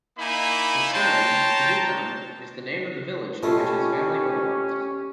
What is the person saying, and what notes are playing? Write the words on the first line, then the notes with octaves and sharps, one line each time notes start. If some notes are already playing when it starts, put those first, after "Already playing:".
His surname, Padukone, is the name of the village to which his family belongs.
A#3 D#4 E4 G#5 B5
C#5 G5 A5 A#5 C6
B2 A3 C#4 F4 G4